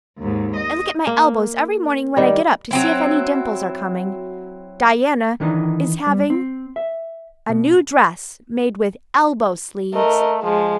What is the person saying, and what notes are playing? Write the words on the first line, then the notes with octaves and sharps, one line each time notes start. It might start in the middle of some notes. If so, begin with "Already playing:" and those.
I look at my elbows every morning when I get up to see if any dimples are coming. Diana is having a new dress made with elbow sleeves.
D#2 G#2
D#5
A#3
D#3 G3
F#3 C4 E4
D#3 E3 D4 D#4
G3
C4
E5
B2
A3 A#4 D#5
F3 G#3